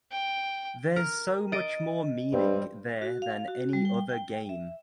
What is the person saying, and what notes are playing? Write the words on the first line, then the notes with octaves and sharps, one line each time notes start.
There’s so much more meaning there than any other game.
G5
A#4
D#5 A6 D7
G2 G3 C4
F#4
F5
F#4
G3
G5
G5
E5